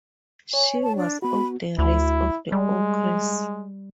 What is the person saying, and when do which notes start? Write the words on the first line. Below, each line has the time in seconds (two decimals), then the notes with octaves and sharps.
She was of the race of the ogres.
0.53 C#5 G#5
0.83 A5
0.96 D4
1.22 B3 F#4 B5
1.79 D2 E4
2.52 G3 G#3